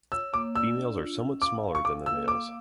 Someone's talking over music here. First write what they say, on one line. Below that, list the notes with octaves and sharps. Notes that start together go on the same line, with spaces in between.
Females are somewhat smaller than the males.
C#5 E6
A#3 D6
D5 E6
D4
F4
C#4
F5 D6
F5
C#6
A4 D6
A#3 E6
F5 D6